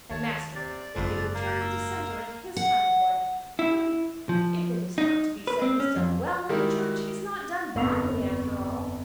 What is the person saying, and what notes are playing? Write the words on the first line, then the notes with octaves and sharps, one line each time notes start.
And master thinking of turning Dissenter at his time of life, when, if it is not to be said he's done well in the Church, he's not done badly after all.
D#2 C#5 A5
C3 D5
F#1 F2 G#2
A#3
E6
F#5
E4
F3
D#4
B4
C4
C#4
F2
D#3 G3 G#3 E4 A#4
G1 F2 B3 C#6 E6 F7